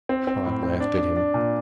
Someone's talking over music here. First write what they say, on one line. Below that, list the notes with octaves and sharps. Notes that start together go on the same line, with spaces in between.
Pod laughed at him.
C4
C4
A2
C4
D4
D4
D4
A#2